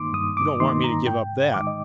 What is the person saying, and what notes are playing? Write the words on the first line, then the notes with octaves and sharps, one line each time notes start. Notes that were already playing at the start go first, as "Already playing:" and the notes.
You don't want me to give up that?
Already playing: G2 D#3 A#3 D#4 C6 D6
G2 D#6
D6
D#3 A#3 D#4 C6
A#5
G#2 G5
D#3 G#3 D#4 D6
D#5